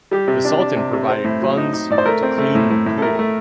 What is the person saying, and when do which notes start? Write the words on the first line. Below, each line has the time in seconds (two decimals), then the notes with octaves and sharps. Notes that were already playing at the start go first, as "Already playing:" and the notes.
The Sultan provided funds to clean the pool.
0.11 G3 G4
0.28 C3
0.45 D4
0.60 D4
0.77 C3
0.93 C3
1.09 C4
1.25 A2
1.42 F#3
1.57 D#4
1.73 D#4
1.90 A2 D5
1.98 C5
2.06 A3 A#4
2.23 C4
2.38 A3
2.55 A2
2.70 A2
2.86 A2
2.98 A4
3.02 A3 A#4
3.19 A3